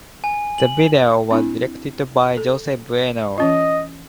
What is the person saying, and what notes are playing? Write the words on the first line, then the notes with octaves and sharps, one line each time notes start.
The video was directed by Jose Bueno.
G#5
F#7
C4 D4 E4
A4
E3 C#4 F4 D#5